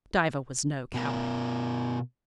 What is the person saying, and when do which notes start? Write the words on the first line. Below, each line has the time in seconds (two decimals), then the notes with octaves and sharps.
Diva was no coward.
0.94 B2 B3 A#4